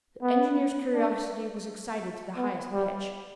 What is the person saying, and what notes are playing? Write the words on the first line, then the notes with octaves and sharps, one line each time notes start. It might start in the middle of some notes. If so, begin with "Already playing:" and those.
The engineer's curiosity was excited to the highest pitch.
B3
D4
B3
G3